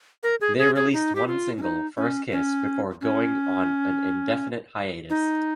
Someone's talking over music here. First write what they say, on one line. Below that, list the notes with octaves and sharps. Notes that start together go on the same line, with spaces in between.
They released one single, "First Kiss", before going on an indefinite hiatus.
A#4
G#4
G#4
G#4
D#4
G4
F4
C#4
D#4
C#4
C#4
C#4
D#4